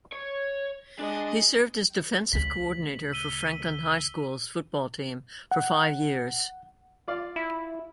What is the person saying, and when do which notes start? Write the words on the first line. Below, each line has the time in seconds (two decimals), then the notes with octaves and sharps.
He served as defensive coordinator for Franklin High School's football team for five years.
0.13 C#5
0.99 G#3 D4 D#5
2.33 D2 C#3 B6 F#7
3.12 E6 D#7 G7
5.51 F#5
7.08 F4 D5 F5
7.36 E4